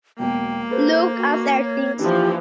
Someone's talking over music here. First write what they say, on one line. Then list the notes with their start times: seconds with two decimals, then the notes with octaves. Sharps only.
Look after things.
0.19 E1 B1 A#3 G5
0.71 A4 B4 C5
1.18 F#4
1.63 C#5
1.99 E3 F3 D4 E4 G4